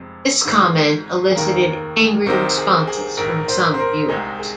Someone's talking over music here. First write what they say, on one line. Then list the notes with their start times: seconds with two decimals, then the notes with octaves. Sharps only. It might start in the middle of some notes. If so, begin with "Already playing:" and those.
This comment elicited angry responses from some viewers.
Already playing: F1 F2 C3 G#3
0.44 G#1 G#2 G#3
1.31 G#4
1.35 F1 D#2 D#3 A#3 A#4
2.26 C2 C3 D#3 C4 D#4 A#4
2.57 G#4
2.87 G#4
3.17 A#1 G#2 D#3 A#4
3.48 C5
3.74 C5
3.79 A#4
4.08 C2 C3 G#3 D#4 G#4
4.39 G#4